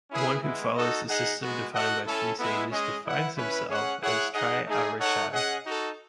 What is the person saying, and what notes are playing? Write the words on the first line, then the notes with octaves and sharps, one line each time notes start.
One who follows the system defined by three sages defines himself as "tri-a-rishaye".
C#4 E4 G#4 B4
G#3 B3 E4
D#4 F#4 A4 D#5
D#4 G#4 D#5 F#5
G#3 B3 F#4
F#4 A4 D#5 F#5
C#4 E4 A4
G#3 B3 E4
G#3 C#4 G#4 D#5
E4 B4 F#5
C#4 E4 B4
C#4 G#4 C#5 F#5
E4 G#4 C#5 F#5
D#4 G#4 D#5 F#5
A3 D#4 G#4
D#4 A4 C#5 F#5
C#4 G#4 D#5 F#5
D#4 F#4 A4